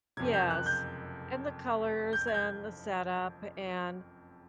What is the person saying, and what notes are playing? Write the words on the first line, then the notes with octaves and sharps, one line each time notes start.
Yes, and the colors and the setup, and
F#1 F2 C3 G#6
G6
F#6
G6
G6
G#6
G6